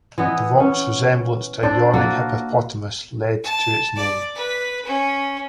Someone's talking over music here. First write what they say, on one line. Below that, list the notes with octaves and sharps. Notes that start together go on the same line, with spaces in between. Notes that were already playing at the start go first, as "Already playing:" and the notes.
The rock's resemblance to a yawning hippopotamus led to its name.
E3 B3 D#5
B3 C#4
D4 A4 C5 D5
A#3 F#4 A4 A#4
A5
D5
B4
C#4